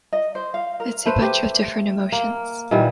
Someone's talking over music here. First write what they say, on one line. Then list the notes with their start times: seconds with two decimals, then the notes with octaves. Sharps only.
It's a bunch of different emotions.
0.13 D#5
0.35 C5
0.54 F5
0.80 A#4
1.06 A3 B4 C5
1.22 G4 C5
2.12 A#3
2.71 A#2 D#3 E3 G3